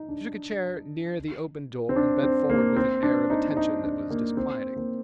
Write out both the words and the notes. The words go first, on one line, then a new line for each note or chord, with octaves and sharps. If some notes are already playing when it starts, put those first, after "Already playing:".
She took a chair near the open door and bent forward with an air of attention that was disquieting.
Already playing: D#4
D4
C4
D4
C4
A#3
C4
D4
D#4
D#4
D4
A#3
C4
A#3